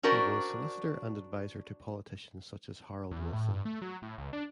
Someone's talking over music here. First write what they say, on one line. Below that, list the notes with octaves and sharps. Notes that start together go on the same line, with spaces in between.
He was solicitor and advisor to politicians such as Harold Wilson.
C#4 D4 F#4 A#4 C5 D5
E2
A2
G2
A3
F#3
A2
C#2
D4